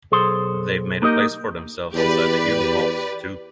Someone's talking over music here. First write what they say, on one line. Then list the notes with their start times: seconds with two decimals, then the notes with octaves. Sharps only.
They’ve made a place for themselves inside the human heart, too.
0.12 B1 G#4 A4 C5 C6
1.02 A#3 D#4 G4 A#4 D#5
1.94 E2 G4 B4 D5